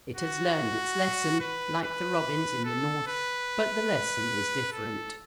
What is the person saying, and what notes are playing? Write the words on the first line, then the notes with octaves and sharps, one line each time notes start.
It has learnt its lesson like the robins in the north, but the lesson is different.
F#4
B4
B4
A4
B4
A4